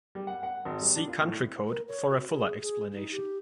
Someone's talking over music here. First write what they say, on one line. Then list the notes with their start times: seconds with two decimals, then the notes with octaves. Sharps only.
See country code for a fuller explanation.
0.15 G3
0.27 F#5
0.43 F#5
0.65 G#1
0.82 G3
0.95 D4
1.08 F4
1.22 A2
1.67 A#4
1.88 C#5
2.10 F#4
2.33 G#4
2.61 G#4
2.92 D#4
3.12 G4